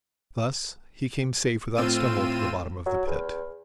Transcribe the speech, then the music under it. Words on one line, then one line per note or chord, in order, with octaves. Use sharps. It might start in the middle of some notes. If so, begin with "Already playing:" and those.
Thus he came safe without stumble to the bottom of the pit.
A2 C4 F4 E6 D#7
F#3
E2